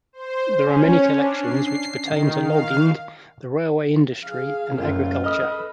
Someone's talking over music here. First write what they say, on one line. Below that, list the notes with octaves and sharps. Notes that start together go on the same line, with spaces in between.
There are many collections which pertain to logging, the railway industry and agriculture.
C5
C#4
D4
C7
D#3
F5
G#4 F5
F#1 A2 F4
A4 B4 D#5 D#6 F6